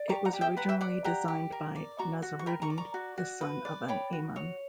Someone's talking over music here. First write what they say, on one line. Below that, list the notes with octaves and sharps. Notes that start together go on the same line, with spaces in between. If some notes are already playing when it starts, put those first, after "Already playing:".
It was originally designed by Nazaruddin, the son of an imam.
Already playing: D5
G4 A#5 C#6
F#5 A#5
G4
E5 G5
B4 F#5 A#5
E5 G5
D5 F#5
G4 F#5 A#5
G4
A#4
D5
F#4 A#5 C#6
F#4
C#6
A#4 G5 B5
A#5 C#6
D5
A#5 C#6
F#4
F#4
B4
D5
C#5 G5 B5
F#4
C#5